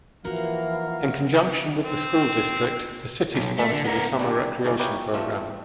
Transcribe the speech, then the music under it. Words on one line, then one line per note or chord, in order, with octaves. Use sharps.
In conjunction with the school district, the city sponsors a summer recreation program.
E3 F3 A#3 F#4 A#4 F5
C4
B1
A3
D3
B3 A#4
D#2 G3 D4
C#2 G#2 C#3 E3 C#4 D5
D#4 E4 G4 B4 C#5 F5
A#2
E2 G2 F3 A3 C4